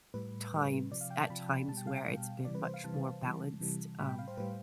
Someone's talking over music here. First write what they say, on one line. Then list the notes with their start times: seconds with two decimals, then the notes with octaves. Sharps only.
times at times where it's been much more balanced, um,
0.14 A2 G3 B4
0.53 A2 G3
0.91 C3 F3 D5
1.01 F5
1.10 G5
1.20 A5
1.30 C3 F3 B5
1.68 B2 G3 A5
1.77 G5
1.87 F5
1.97 G5
2.06 B2 G3 F5
2.45 C3 E3 G3 D5
2.55 B4
2.65 C5
2.74 F5
2.84 C3 E3 G3 A5
3.22 C3 E3 G3
3.61 C3 E3 G3
3.99 A2 G3 B5
4.09 G5
4.19 F5
4.28 C5
4.37 A2 G3 B4